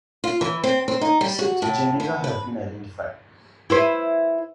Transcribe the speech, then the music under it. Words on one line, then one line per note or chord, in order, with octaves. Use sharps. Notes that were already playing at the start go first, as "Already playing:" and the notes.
Six genera have been identified.
F4
E3
C4
C4
D#4
G3
F#4
A2
B3
B4
E4 B4 C5